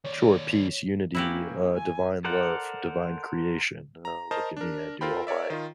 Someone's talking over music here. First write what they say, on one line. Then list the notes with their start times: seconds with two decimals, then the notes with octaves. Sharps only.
Sure, peace, unity, uh, divine love, divine creation. "Oh, look at me, I do all my
0.04 D#2 C#5 D5
1.15 A#3 C#4 E4 F#4 G4
1.75 G#5
2.25 A4 A#4 C5 D5 F#5
4.05 A#5
4.31 A#4 C5 D#5 A5 A#5
4.57 D4 A#4
5.01 F4 A4 A#4 C5 G5 B5
5.27 A#4 C#5 D5 E5
5.50 D#3 F4